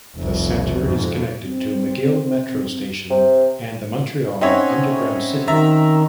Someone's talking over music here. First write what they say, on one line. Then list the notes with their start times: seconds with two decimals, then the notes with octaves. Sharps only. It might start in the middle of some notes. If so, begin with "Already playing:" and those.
The centre is connected to McGill Metro station and the Montreal Underground City.
0.16 F1 C2
0.82 F2 G#2
1.43 C4
3.10 C3
4.41 C4 C#4 D#4 E4 C#5 F#5
5.48 D#3 E5 A#5